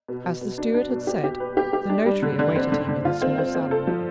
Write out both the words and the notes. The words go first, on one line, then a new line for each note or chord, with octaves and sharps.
As the steward had said, the notary awaited him in the small salon.
B2
B2
B2
D4
D4
B2
G4
G4
B4
G4
G4
D4
G3
D3
D3
C4
D3
D3
F4
C4
C4
C4
A4
F3